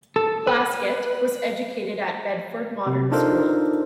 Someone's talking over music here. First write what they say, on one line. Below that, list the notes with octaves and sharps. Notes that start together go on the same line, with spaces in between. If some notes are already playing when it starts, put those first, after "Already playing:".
Plaskett was educated at Bedford Modern School.
A4
B4
C3
D4 D#4 F4 A4 A#4 C5